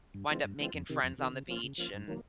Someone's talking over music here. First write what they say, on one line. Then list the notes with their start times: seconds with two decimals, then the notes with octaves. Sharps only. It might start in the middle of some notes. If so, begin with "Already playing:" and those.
wind up making friends on the beach, and
0.14 G2
0.30 E3 G#3 C4 F4
0.44 G2
0.59 E3 G#3 C4 F4
0.74 F2
0.89 C3 D#3
1.03 F2
1.18 C3 D#3
1.33 C#3
1.48 F3 A#3 C#4 F4
1.63 C#3
1.78 F3 A#3 C#4 F4
1.94 G2
2.08 D#3 F#3 A#3